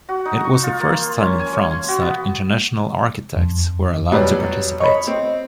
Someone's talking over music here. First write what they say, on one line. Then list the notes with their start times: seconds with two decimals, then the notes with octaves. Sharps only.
It was the first time in France that international architects were allowed to participate.
0.09 F#4
0.25 D#4
0.44 C#6
0.63 F4
0.80 A#3
1.06 C6
1.20 C#4
1.39 G#5
1.52 C#5
1.71 C6
1.88 F#4
2.01 B3
3.36 F2
4.12 B2 F#3 G3
4.80 C#5 D#5 B5
5.07 C4